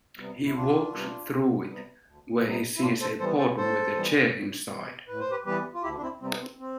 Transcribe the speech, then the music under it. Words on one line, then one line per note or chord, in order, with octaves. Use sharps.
He walks through it, where he sees a pod with a chair inside.
C3 G3 B3
E4
D2 D4 F4
C3 G3 B3
D2
C3 G3 B3
D2
C3 G3 B3
E4
A2 D4 F4
A4 C5
E3 G3 B3 A4 C5
A4 C5
A2 A4 C5
E3 G3 B3
A2
E3 G3 B3
A2 B4
C5
G4 B4
E3 G3 B3 G4 B4
F4
D2 E4 G4
D4
C4 E4
C3 G3 B3 C4
B3
C4
C4